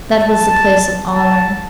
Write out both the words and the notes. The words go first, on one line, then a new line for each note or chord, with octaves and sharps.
That was the place of honor.
A5
A5